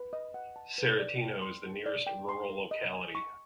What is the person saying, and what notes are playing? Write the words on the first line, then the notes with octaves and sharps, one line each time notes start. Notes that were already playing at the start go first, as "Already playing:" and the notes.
Seretino is the nearest rural locality.
Already playing: B4
D#5
F#5
A5
B4
D5
G5
C6
A#4
D5
G5
C6
A#4
D#5
G#5
C#6